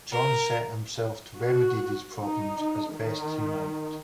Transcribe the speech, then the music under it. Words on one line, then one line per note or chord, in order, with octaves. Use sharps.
John set himself to remedy these problems as best he might.
A#4
F#4
D#4
D#3